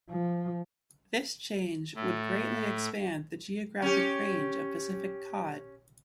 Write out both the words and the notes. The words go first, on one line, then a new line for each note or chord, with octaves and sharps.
This change would greatly expand the geographic range of Pacific cod.
F3
A2 A3
C#4 G4